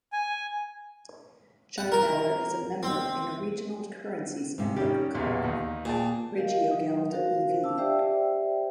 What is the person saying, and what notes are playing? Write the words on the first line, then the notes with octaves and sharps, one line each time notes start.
Chiemgauer is a member of a regional currencies' network called Regiogeld e.V.
G#5
F#5
A#4
C4
G#2 C3
D#3 G3 C#4 G4
B1 E2 A#2
D#2 D#4
A#2 G#4 G5 A5
G4 A#4 D#5 F5
F#3 D#4
F#4 A#4 C5 F5
D4 F5 A5 E6
G4 C5 D5 E5 G5